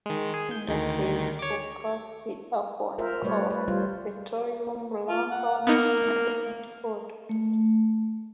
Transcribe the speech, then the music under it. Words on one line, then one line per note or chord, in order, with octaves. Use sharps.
Industry is focused upon coal, petroleum, lumber, machinery, and food.
D#3 G#3
G#4
G6
D2 D#3
C#5 D6
F4 A#4 C5 E5
G3 A3 B4 C#5 D5
B4
G3 F4 C5
F4
F#5
A#3 B3 D#4 C#7
A3